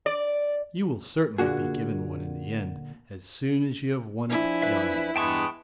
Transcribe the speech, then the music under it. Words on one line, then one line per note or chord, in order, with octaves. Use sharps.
"You will certainly be given one in the end, as soon as you have won it yonder."
D5
A#2 D3 A#3 F#4 G#4
F3 D4 E4 G#5
B4 E5
E2 G2 G#3 B3 G5 A5 C#6